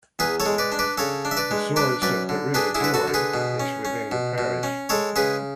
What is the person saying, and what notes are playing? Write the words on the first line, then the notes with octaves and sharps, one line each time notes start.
The source of the River Bourne is within the parish.
E2 G#4 B4
A4 C#5
G#3
B4 D5
D4
B4 D5
C#3 A4 C#5
D4
E5
B4 D5
G#3
D4 B4 D5
F#2 B4 D5
D3
D4 G#4 B4
E4 G#4
D3 B4
F#4 A4
D3
G#4 B4
B2
C#4
C#4
B2
B2
C#4
G#3 A4 C#5
C#3 G#4 B4